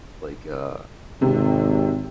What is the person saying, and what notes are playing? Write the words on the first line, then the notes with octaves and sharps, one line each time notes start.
Like, uh,
G#1 C3